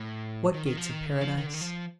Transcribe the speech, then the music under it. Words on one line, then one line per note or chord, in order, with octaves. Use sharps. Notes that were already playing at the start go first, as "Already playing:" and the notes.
"What gates of paradise?"
Already playing: A2
D#3
D#3
F3
D#3
D3
F3
D#3
D3
D#3
F3